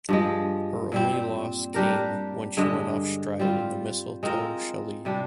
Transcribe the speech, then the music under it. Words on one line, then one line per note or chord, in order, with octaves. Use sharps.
Her only loss came when she went off stride in the Mistletoe Shalee.
G2 F3 G#3
A#2 G3 C4
G3 D4 G4 A#4
G2 D3 G#3
G3 C4 F4
G#3 C4 F4 A#4
C3 G3 D4